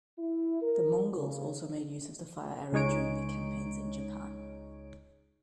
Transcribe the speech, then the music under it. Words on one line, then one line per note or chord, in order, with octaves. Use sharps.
The Mongols also made use of the fire arrow during their campaigns in Japan.
E4
A#4
C#3
C#2 G#3 D#4 C#5 D7